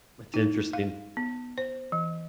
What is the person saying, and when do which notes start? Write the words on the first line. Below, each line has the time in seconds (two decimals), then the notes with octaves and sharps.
It's interesting.
0.34 D#4
0.73 F5
1.17 B3
1.58 C5
1.92 E3